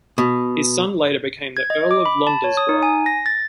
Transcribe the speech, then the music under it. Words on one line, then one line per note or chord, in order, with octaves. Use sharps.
His son later became the Earl of Londesborough.
B2
G#6
D#5
D6
B5
A5
C#5
D#6
D#4
G#5
A#6
A6